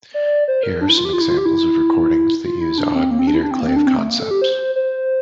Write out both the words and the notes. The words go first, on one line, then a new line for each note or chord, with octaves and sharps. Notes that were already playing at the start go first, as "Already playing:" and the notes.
Here are some examples of recordings that use odd meter clave concepts.
D5
C5
A#4
D4
E4
F4
G4
F4
E4
F4
G4
E4
F4
E4
D4
C4
A#3
C4
D4
E4
D4
C4
A#3
C4
D4
C4
A3
A#3
A4
G4
C5
C5